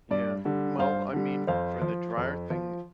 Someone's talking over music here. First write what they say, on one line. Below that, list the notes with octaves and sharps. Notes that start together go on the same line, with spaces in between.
Yeah, well, I mean, for the dryer thing,
G2 D5
D3 G3
G2 C5 F5
D3 G3
F2 C5 F5
F3
F2
F3